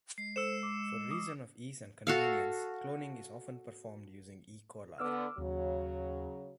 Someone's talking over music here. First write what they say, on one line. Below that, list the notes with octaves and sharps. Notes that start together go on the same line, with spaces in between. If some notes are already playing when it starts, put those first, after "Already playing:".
For reason of ease and convenience, cloning is often performed using "E. coli".
G#3 C7
A4 C5 E6 C#7 E7
D6
D6 D#6
F#4 A4 F5
D3 B3 D6 E6 F6
D#2 C#3 F#3